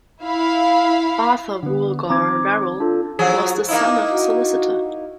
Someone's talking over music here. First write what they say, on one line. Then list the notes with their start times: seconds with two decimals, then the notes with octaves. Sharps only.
Arthur Woollgar Verrall was the son of a solicitor.
0.21 E4 F5 B5
1.63 D3 B3
2.10 D#3 C4 A#5 D6 G#6
2.80 D4 F4 A4
3.19 F3 F#3 G#4
3.69 A#3 D#4 E4 F5
4.12 F#4